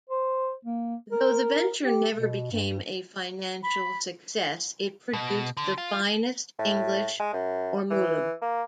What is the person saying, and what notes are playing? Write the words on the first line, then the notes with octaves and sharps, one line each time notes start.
Though the venture never became a financial success, it produced the finest English ormolu.
C5
A#3
A#4
G4
B2
G2
B5
B2
D3
F4
A2
G#3
F#2
E3
A#3